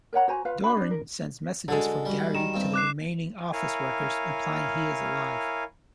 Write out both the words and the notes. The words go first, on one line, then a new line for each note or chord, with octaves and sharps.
Dorine sends messages from Gary to the remaining office workers, implying he is alive.
A#4 C#5 F#5 A#5
F#4 C5 G#5 A#5
F4 B4 F5
D4 F#4 B5
D4
A#4
D3 F#3 G#3 A4
G3 F#4
D#3 E7
G2 C4
D6 F#6 C7
E4 A#4 C#5 F5 G#5